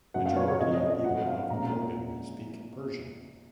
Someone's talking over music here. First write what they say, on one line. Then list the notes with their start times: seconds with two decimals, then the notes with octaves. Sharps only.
Majority of people of Gorgan speak Persian.
0.14 F#2 C#3 F#3 F#5
0.26 F5
0.36 C#5
0.48 C#5
0.59 F2 C3 F3 D#5
0.75 D#5
0.90 D#5
1.05 F2 C3 F#3 C4 F#5
1.27 F5
1.50 A#2 G#3 C#4 A#5